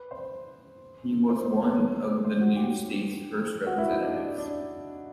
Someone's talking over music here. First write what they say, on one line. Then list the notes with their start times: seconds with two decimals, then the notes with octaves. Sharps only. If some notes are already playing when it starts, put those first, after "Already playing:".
He was one of the new state's first representatives.
Already playing: B4
0.11 C5
1.29 C5
1.45 C5
1.60 C#5
2.24 C5
2.41 F#4
2.56 G4
3.67 F#4
3.78 E4
3.90 D#4
4.02 D4
4.15 D4
4.38 D4